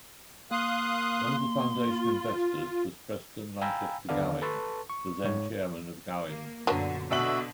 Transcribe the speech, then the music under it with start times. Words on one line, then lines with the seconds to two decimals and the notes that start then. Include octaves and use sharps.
One of the foundation investors was Preston Lanchester Gowing, the then chairman of Gowings.
0.51 A#3 F5 C6 D#6 F#6
1.87 F4
3.61 F5 G5 G#5 A#5 B5 E6
4.09 D#2 D3 B3 A4 D5 F5
4.42 A4 B4 A5 C6 C#6
4.90 C#6
5.24 G#2 C#5
6.27 A#3
6.67 F#2 A#2 D3 F#3 B3 D4
7.11 B2 D3 F#4 E5 E6 F#7